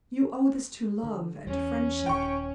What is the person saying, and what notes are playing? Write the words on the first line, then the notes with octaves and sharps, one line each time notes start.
You owe this to love and friendship.
D3
E2 C#4
D#1 G5 C#6